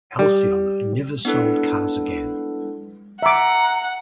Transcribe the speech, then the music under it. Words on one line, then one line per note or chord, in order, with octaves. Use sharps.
Alcyon never sold cars again.
G3
B3 D4 E4 A4 B4
E5 F#5 A#5 D6